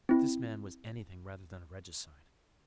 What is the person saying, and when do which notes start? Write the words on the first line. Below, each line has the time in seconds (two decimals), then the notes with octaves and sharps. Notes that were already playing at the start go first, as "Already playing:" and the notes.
But this man was anything rather than a regicide.
0.09 C4 E4